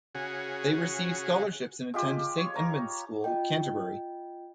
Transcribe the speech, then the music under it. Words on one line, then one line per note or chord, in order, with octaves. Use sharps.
They receive scholarships and attend Saint Edmund's School, Canterbury.
C#3 F#4 G#4
G#3 F4 G4
C#5
C#5 A#5
F4 D#5 G5